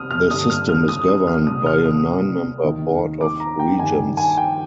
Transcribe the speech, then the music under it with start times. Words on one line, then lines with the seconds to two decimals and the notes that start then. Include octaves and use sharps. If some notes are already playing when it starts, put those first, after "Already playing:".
The System is governed by a nine-member Board of Regents.
Already playing: C2 C3 D#6 F6
0.11 F6
0.30 G2 D3 D#6
0.50 F6
0.69 F6
0.89 D#6
1.08 D#6
1.27 F6
1.47 C2 A#2 D#6
1.66 F6
1.85 D#6
2.63 D#2 D#3
3.21 D6
3.40 A#5
3.60 G5
3.79 G2 D#3 G#5
4.17 G#5
4.37 G5